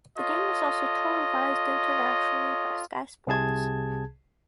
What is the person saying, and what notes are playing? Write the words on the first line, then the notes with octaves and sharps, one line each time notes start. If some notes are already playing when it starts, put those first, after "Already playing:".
The game was also televised internationally by Sky Sports.
F4 A4 C#5 D#5
C2 C3 G#4 A5 G#6